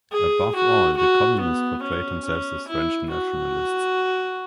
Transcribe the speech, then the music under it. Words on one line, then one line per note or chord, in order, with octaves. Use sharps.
Above all the Communists portrayed themselves as French nationalists.
G#4
F#4
F#4
B3
C#4
C#4
E4
F#4